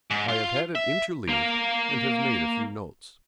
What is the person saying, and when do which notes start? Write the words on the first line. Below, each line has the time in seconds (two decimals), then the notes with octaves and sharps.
"I have had it interleaved, and have made a few notes."
0.10 G#2
0.29 F4 F5
0.75 E5
1.29 A#3 A#4